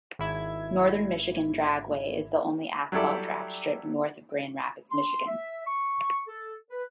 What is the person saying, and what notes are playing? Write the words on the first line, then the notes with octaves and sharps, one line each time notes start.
Northern Michigan Dragway is the only asphalt dragstrip north of Grand Rapids, Michigan.
G#1 E4 G#6
F#3 G3 E4 A4 D5
C6
E5
C#6
A4
B4